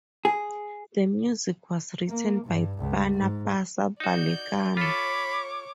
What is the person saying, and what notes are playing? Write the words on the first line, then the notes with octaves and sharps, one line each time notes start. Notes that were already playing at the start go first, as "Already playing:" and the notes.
The music was written by Panapasa Balekana.
G#4
A#3
G2
C#2
G#2
D#4 F#4 D5 G6
F4 A4 C#5 B5 D6